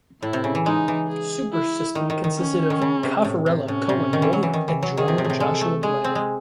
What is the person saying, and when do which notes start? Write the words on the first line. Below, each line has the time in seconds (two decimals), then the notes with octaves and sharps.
Supersystem consisted of Cafarella, Cohen, Moyer, and drummer Joshua Blair.
0.22 A2 E4
0.33 C3
0.44 C#3
0.55 E3
0.66 G#3 D#4
0.88 E3
1.08 G#4
1.52 E4
1.95 D#3 D#4
2.10 D#3
2.24 D#3
2.38 C#4
2.70 D#3
2.82 C#3
3.03 C3
3.24 A2
3.46 C3
3.68 A2 C#4
3.89 C3
4.13 D#3
4.22 E3
4.33 F#3
4.43 E3
4.53 D#3
4.68 E3
4.83 F#3
4.97 D#3 G#4
5.08 C3
5.18 C3
5.25 A2
5.30 C3
5.40 G#3 A4
5.61 A3
5.83 G#3 G#4
6.04 C4
6.15 G#3